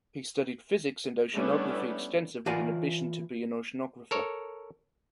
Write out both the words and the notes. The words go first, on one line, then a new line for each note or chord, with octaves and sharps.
He studied physics and oceanography extensive with an ambition to be an oceanographer.
G3 A3 B3 C#4 D4 E4
E3 F4 F#4 A#4 D5 G#5
A4 A#4 C#5